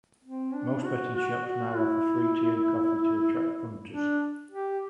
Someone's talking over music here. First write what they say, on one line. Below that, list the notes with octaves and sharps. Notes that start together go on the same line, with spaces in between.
Most betting shops now offer free tea and coffee to attract punters.
C4
D4
F#4
F#4
F#4
E4
D4
G4